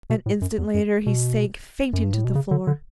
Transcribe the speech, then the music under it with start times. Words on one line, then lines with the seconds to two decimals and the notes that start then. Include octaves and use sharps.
An instant later he sank fainting to the floor.
0.10 B2
0.26 A2
0.42 F#2
0.58 E2
0.74 F#2
1.06 B2
1.93 F#2
2.04 G2
2.14 A2
2.24 B2
2.35 C#3
2.51 D3
2.67 D3